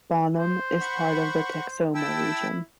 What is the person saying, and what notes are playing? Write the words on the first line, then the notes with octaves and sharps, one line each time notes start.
Bonham is part of the Texoma region.
C5
F#5 B5 C#6
E4 G5 A5 E6